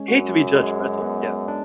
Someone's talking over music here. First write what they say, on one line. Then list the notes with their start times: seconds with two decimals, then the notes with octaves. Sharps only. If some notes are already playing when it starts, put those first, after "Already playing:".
Hate to be judgmental yeah.
Already playing: G#3 C#4
0.08 F#2 F#4
0.55 G#3
1.01 B3
1.48 D4